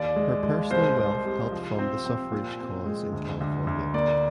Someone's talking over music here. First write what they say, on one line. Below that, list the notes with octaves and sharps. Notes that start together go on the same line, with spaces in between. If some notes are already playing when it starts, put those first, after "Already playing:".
Her personal wealth helped fund the suffrage cause in California.
Already playing: D#2 D5
G#3
G#3
C2 C5
C2
C3
F3
C4
C4
A#2
C4
G#3
D2
D2
D2
A#3 D5